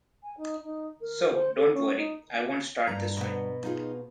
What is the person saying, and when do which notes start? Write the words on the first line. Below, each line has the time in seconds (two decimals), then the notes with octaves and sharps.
So, don’t worry, I won’t start this way.
0.22 G#5
0.37 D#4
0.63 D#4
1.00 A#4
1.32 C5
1.56 A4
1.72 C#4
1.96 D#4
2.87 G2 A#5
3.17 B2 B3
3.63 D#4 F4 G#4